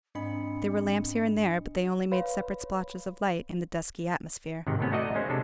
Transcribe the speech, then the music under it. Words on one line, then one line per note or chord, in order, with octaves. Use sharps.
There were lamps here and there, but they only made separate splotches of light in the dusky atmosphere.
G#2 C4 D4 D#5 B5 C#7
B4 C#5 F5 B5 C6
G#1 C3 D#3
A2 C3 B3 C#4
A3 D#4 F#4 D5 D#5
G#3 A#3 C#4 C5
C3 G#3 D4 A4